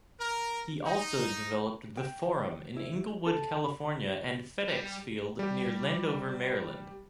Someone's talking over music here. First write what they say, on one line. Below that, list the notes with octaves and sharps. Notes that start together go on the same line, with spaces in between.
He also developed The Forum in Inglewood, California and FedExField near Landover, Maryland.
A#4
D#4
G5
E4
A4
B5
G3
G3 G4